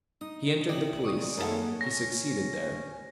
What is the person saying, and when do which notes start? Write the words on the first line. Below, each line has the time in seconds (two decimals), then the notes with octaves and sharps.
He entered the police; he succeeded there.
0.21 D#4 D#6
0.69 B1 A2 C3 F#3 D5 D#5 F#7
1.04 G#1 G#2 D5 C#6 D#6
1.38 F#2 A3 A#3 C#4 D#4 F#4 G#4 F#5
1.81 C#4 A#6